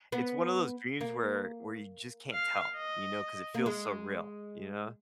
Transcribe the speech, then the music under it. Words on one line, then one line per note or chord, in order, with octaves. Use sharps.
it's one of those dreams where where you just can't tell, you know, 'cause it feels so real. You know?
B3
A#3
F5
D#5
A#3
G#3